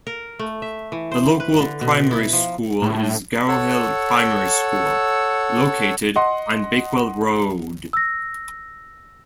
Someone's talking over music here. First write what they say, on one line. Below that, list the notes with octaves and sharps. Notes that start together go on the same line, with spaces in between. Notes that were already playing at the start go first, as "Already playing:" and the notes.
The local primary school is Garrowhill Primary School, located on Bakewell Road.
A#4
A3
E5
E3
C5
B4
D3
B2
E4
F3
A2
A4 C#5 F#5 E6
D#5 F#5 C6
E6 A#6